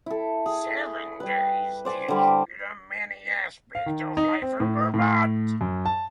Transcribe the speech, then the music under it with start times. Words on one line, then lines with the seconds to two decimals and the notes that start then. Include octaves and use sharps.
"Seven Days" deals with many aspects of life in Vermont.
0.06 E4 A4
0.46 G#4
1.20 G3 B4
1.85 C5 D5 G#5
2.08 D3 G3
3.75 F5
3.86 D#3
4.17 D#4
4.42 C4
4.60 A2
4.94 A2
5.61 F#2
5.85 A5